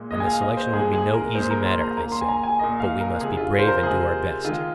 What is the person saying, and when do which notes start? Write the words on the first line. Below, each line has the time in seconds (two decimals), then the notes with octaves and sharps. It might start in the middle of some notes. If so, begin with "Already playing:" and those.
And the selection will be no easy matter, I said; but we must be brave and do our best.
Already playing: A#2 G#3
0.11 A#2 G#3 D#5
0.20 G#5
0.27 F5
0.42 D#5
0.57 C5
0.73 A#2 G#3 G#4
0.93 G#4
1.14 A#4
1.35 A#2 G#3 C5
1.51 A#4
1.66 C6
1.81 A#5
1.97 A#2 A#3 A#5
2.12 C6
2.21 G#5
2.28 A#5
2.44 G#5
2.59 A#2 A#3 D#5
2.80 F5
3.00 A#4
3.21 C3 G#3 G#4
3.37 F4
3.59 C5
3.68 A#4
3.83 C3 G#3 G#4
4.45 D#3 G#3 F4